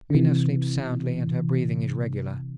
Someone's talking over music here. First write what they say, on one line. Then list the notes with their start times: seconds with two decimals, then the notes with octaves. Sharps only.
Mina sleeps soundly and her breathing is regular.
0.10 D3
0.15 C3 E3